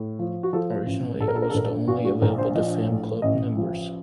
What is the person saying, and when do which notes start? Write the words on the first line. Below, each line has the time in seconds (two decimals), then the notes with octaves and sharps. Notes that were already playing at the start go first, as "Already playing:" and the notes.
Originally it was only available to fan club members.
Already playing: A2
0.19 F3
0.43 F#4
0.53 F3 A4
0.86 A1
1.20 A#1 A4
1.28 A#4
1.35 A4
1.42 A#4
1.50 A4
1.54 A#1 A#4
1.65 A4
1.87 A#2 F#4
2.05 F#4
2.22 A#1 A#4
2.38 C5
2.55 F3 D#5
2.89 A2
3.22 A1 D#5
3.57 F3